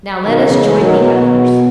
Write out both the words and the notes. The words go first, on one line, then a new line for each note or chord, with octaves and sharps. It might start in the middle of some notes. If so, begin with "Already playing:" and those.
Now let us join the others.
B2 D#3
C#3 E3
E3 G#3
D#3 F#3
B2